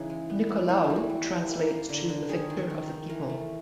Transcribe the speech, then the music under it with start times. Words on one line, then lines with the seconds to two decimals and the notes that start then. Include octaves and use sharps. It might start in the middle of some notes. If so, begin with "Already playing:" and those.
Nicolaou translates to the "Victor of the People".
Already playing: C#3 E3 D#4
0.10 G#3
0.30 B3
0.49 B3
0.69 E3 E4
0.77 F4
0.84 E4
0.90 G3
0.96 F#4
1.10 G3
1.23 G4
1.30 E3
1.49 A#3
1.70 A#3
1.89 D3
2.09 D3
2.29 D#3 G#4
2.50 D#3
2.70 D#3
2.89 D#3
3.09 E3 A#4
3.30 A3